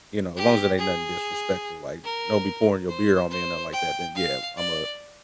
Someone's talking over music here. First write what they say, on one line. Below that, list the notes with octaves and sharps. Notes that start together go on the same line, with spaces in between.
you know, as long as it ain't nothing disrespectful, like, don't be pouring your beer on me or nothing like that, then yeah, Imma
G4
G#4
A#4
C5
C5
G5
F5
D5